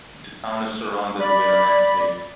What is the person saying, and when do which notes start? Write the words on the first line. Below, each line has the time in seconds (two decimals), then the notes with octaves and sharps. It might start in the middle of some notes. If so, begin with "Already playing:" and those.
The town is surrounded with an enceinte.
1.20 D5 B5